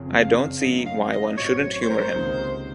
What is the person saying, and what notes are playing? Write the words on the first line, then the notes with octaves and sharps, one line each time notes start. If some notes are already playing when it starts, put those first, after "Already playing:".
I don't see why one shouldn't humour him.
Already playing: F#1 F2 C#3
F5
F#2 D#3 A3 D#5
F5
D#5
A1 A2 F#3 C4 C#5
C#5
C5
A#4
C5
C#2 C3 D#3 A#3 D#4